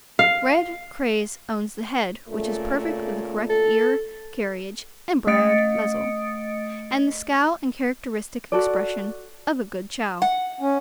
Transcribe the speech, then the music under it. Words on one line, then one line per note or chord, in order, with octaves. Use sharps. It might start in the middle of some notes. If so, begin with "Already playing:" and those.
Red Craze owns the head which is perfect with the correct ear-carriage and broad muzzle, and the scowl and characteristic expression of a good Chow.
F5
A#2 C#3 A3
A4
A3 D#5 D#6 A6 C#7 D7
F#4 A4 D5
F#5
C#4